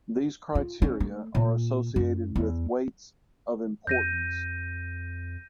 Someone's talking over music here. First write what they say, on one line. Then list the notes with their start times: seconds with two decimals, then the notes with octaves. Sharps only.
These criteria are associated with weights of importance.
0.55 F4
0.82 C#4
1.00 A3
1.35 A#2
1.96 F#2
2.36 E2
3.87 F2 G6 A#6 D#7